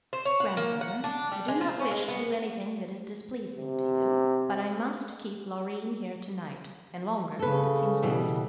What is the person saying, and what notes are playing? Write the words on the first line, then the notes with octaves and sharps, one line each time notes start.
"Grandmother, I do not wish to do anything that is displeasing to you, but I must keep Loreen here tonight, and longer if it seems best."
C5
C#5
F#5
A#3
F#5
D4
G3
G#3
F3
C#4
G#3
B3
C3
C#3 A4 B4
B2 E3 G3